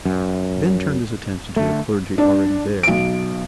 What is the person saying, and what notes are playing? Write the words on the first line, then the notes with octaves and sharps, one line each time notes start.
He then turned his attention to the clergy already there.
F#2
D3 A3
D4
B1 D7